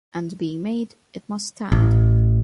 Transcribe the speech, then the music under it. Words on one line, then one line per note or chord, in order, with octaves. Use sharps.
And being made, it must stand.
A1